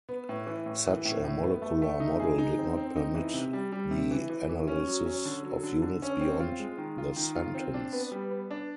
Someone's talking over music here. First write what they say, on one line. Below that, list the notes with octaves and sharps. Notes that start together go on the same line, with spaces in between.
Such a molecular model did not permit the analysis of units beyond the sentence.
B3
A2
E3
A2
E3
A2
A2
B3
A3
A3
D#4
G#4
D#4
C4
C4
D#4
E3
C3
G3
G3
C3
E3
E3
E3
C#4
F#3
C#4
D3
F#3
D3
D3
C#4
C4
F4
G#3
D#3
F4
D#3
F4
C4
D4
B3
G3
B3
D4